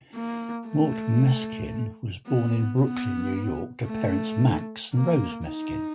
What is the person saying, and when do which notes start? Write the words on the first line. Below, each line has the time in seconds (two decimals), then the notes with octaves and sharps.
Mort Meskin was born in Brooklyn, New York to parents Max and Rose Meskin.
0.14 A#3
0.67 A3
2.27 B3
2.81 B3
3.87 A3
4.94 A#3
5.46 D#4